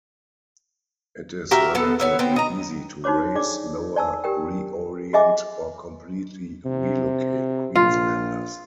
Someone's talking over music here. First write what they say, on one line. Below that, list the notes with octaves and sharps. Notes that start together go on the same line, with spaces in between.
It is relatively easy to raise, lower, reorient or completely relocate Queenslanders.
F#4 G4 A#4 E5
B3 A4
B3 C#5 E5
B3 C4 G5
D#5 A#5
D#4 F#4 C5 C#5 D6
D4 G#4 D5 D6
D5 G#5 A5 E6
G4 A#4 G5
F#4 G#4 D#5 E5 G#5 D6
C3
A#1 F4